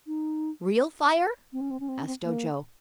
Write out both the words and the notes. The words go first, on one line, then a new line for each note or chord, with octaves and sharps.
"Real fire?" asked Ojo.
D#4
C4
C#4
C4
C#4
C4
C#4
C4
A#3